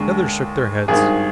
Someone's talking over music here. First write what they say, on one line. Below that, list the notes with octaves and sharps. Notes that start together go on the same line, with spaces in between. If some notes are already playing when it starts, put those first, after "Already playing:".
The others shook their heads.
Already playing: D#2 D3 G#3 D4
G#1 G2 D#3 G#4